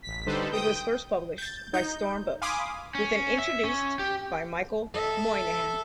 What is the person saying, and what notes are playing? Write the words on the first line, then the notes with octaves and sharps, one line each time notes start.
It was first published by Storm Books with an introduced by Michael Moynihan.
A1 B6
D3 G3 D#4 A4 B4 C5
G5 D#6 G6
G6 A6
D#4 G6
F5 G#5 B5 C6 D6 D#6
C#4
E5
C#4
G4
A4 E5